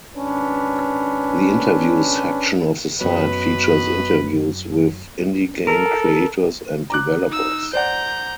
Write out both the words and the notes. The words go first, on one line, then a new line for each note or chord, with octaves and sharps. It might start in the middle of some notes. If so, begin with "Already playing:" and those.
The interviews section of the site features interviews with indie game creators and developers.
G#1 C#4 D4 B4
F#2 B2 F#3 B4
A4 A#4
A#5 D6 F#6
D#4 E6
C5 D5 F#5 A#5 G6